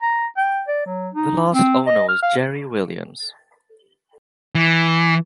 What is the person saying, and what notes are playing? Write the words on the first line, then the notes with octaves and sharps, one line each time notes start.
The last owner was Jerry Williams.
A#5
G5
D5
F#3
D#4
C4
D#5
F6
F5
E3